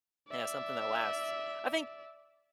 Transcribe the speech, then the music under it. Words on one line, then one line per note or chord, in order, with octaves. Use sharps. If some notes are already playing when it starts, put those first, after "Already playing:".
Yeah, something that lasts. I think,
D5 E5